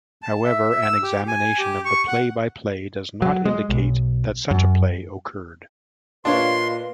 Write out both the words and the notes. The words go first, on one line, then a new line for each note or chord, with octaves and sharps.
However, an examination of the play-by-play does not indicate that such a play occurred.
A5
E5
E5
E6
G4
G#5
G4
C#6
F#5
F#3
G#3
B1
F#2
A#2 D4 F4 B4 C#5 D#5 F5 C6